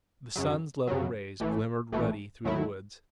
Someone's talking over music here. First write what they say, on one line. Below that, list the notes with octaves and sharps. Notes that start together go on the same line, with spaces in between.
The sun's level rays glimmered ruddy through the woods.
F#2 C#3 F#3
F#2 C#3 F#3
A1 A2 E3 A3
A1 A2 E3 A3
D#2 D#3 F#3 A3 E4